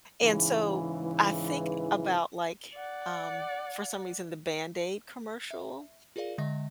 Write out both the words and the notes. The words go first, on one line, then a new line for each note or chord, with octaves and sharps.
And so I think about, like, um, for some reason, the Band-Aid commercial.
G#2 C#3 E3
D5 F#5
E5
F4 G#4 A#4 D5 F5
D3 G#3 D#5 E5 A#6